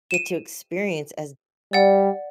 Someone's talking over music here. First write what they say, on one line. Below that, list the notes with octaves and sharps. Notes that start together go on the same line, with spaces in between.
get to experience as
D#7 E7
G3 D5 F#5